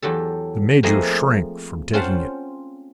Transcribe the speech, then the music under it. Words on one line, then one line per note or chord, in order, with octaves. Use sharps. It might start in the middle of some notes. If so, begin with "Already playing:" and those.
The Major shrank from taking it.
E2 F#3 G4 A4
F3 A3 A#3 C4 G#4 D#5
C4 C#4 F4 C5 F#5 A5